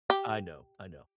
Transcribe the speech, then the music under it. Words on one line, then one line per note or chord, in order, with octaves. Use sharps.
I know, I know.
G4